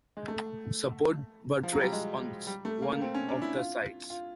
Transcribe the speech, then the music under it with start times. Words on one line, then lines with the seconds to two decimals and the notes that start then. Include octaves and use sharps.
Support buttress on one of the sides.
0.17 G#3
0.28 A3
1.63 F3
1.73 F#3
1.82 G3
1.92 G#3
2.47 G3
2.65 A3
2.82 A#3
3.01 C4
3.14 C#4
3.28 D4
3.42 E4
3.56 F4
4.10 F4